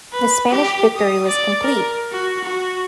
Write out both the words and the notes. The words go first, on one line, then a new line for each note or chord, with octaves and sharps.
The Spanish victory was complete.
B4
G4
D#6
D5
A#4
F#4
F#4